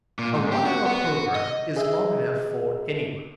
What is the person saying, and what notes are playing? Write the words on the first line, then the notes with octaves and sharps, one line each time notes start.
A one hour programme is long enough for any one.
A#2
G#2
G4
F#4
B3
F#4
D#5
G#4 D#5 E5